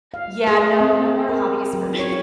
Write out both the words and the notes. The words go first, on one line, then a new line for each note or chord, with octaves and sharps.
Yeah, no, no more hobbies for me,
F5
G#4
C4
A#4
F#3
C#5